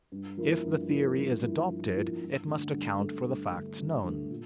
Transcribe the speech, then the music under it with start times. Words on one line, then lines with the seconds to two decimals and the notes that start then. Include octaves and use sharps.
If the theory is adopted it must account for the facts known.
0.12 G2
0.37 F3 A#3 E4
0.64 G2
0.89 F3 A#3 E4
1.16 G2
1.43 F3 A#3 E4
1.69 G2
1.95 F3 A#3 E4
2.21 G2
2.47 D3 A3
2.74 G2
2.99 D3 A3
3.25 G2
3.52 D3 A3
3.78 G2
4.04 D3 A3
4.30 A#2